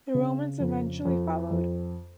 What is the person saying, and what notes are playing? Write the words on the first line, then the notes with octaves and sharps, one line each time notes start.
The Romans eventually followed.
C#3
F2
F2
F2